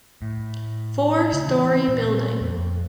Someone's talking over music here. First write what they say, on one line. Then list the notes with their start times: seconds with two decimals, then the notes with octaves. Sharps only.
Four story building.
0.22 A2
1.33 C#3
1.48 E3
1.88 A#2
2.41 F2